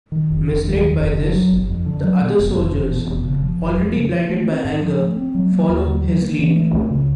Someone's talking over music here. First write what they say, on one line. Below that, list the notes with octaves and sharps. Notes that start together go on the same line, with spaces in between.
Misled by this, the other soldiers, already blinded by anger, follow his lead.
D#3
F1
F1
D#2
D#3
F1
D3
F#3
G1
F2
D3
F#3
B2
F1
F1
E2
B2
F1
C#3
F3
F#1
F2
C#3
F3
A3
C4
G#2
F3
A3
C4
F#3
A#3
D#2
D3
F#3
A#3
E3
A3
C#2
C#3